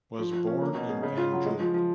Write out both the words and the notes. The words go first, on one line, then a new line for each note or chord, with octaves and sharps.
Was born in Banjul.
F3
F3
C#4
A#3
B2
G#4
C#3
F4
F#3
G#3
F3
F3